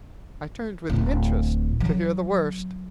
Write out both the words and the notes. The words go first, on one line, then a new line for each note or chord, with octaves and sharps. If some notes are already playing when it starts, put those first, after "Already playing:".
I turned with interest to hear the worst.
D1 F4
F#3